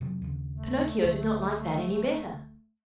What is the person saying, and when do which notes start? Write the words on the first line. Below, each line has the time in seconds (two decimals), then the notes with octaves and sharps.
But Pinocchio did not like that any better.
0.01 F2 C3 F#3
0.22 D#2 C#3
0.52 A3
1.03 C#2 D3